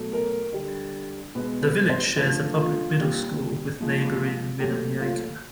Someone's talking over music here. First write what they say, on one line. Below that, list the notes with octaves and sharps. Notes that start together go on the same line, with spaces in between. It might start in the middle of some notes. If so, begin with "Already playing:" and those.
The village shares a public middle school with neighboring Minamiaika.
Already playing: B2 F#3 A3
A#4
D3 G3
B2 G#3 B4
B4
C5
D3 F3 A3 B4
F4
A#2 G3
A#2 F3 G#3
A#2 F#3 A3 G4
F4